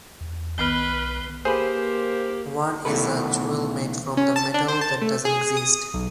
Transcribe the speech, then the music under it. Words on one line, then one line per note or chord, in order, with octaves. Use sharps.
One is a jewel made from "the metal that doesn't exist".
E2
B1 D#3 B3 B4 F6 C7 G7
A#3 G4 G#4 B4 C5
B2 D#3 A3 E4 A4 B4
C#4
A5
D4
C5
A5
A3
G#4
D#6
B1